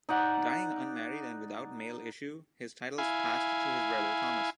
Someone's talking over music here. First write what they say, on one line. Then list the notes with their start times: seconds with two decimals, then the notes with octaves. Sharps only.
Dying unmarried and without male issue, his titles passed to his brother, Thomas.
0.09 D#4 D5 F#5
2.98 E4 F5 G#5